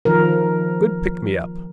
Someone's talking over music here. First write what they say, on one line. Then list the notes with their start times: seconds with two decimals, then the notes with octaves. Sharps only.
Good pick me up.
0.05 D#3 F3 A#4